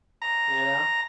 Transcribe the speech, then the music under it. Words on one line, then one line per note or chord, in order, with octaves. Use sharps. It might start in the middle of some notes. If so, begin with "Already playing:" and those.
You know?
A#5